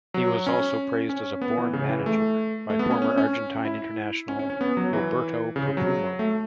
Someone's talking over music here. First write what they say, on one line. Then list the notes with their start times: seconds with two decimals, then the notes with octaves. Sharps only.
He was also praised as a "born manager" by former Argentine international Roberto Perfumo.
0.14 F#3
0.47 C#4
1.09 C#4
1.41 B3
1.57 E3
1.73 C#3
1.89 E3
2.06 A3
2.70 A3
2.79 B3
2.91 C#4
3.02 C#4
3.18 C#4
3.65 E4
4.29 C#4
4.39 C#4
4.50 C#4
4.61 B3
4.77 F#3
4.93 E3
5.56 C#3
5.67 C#3
5.77 F#3
6.19 A3